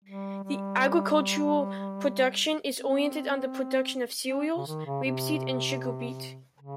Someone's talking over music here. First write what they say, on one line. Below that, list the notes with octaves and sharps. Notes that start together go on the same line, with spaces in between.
The agricultural production is oriented on the production of cereals, rapeseed and sugar beet.
G3
G3
C4
C#4
C#3
D#3
C#3
C3
C#3